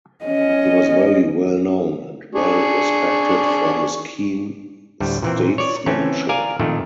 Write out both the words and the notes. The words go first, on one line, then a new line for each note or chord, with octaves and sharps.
He was very well known and well respected for his keen statesmanship.
C#4 D#5
D4 G#4 C#6
D2 A2 G3
A#2 E3 C4
C#5 D5
E3 A3 C4 C#4
A#4 D5 F5 G#5
F2 A#2 D#3 A3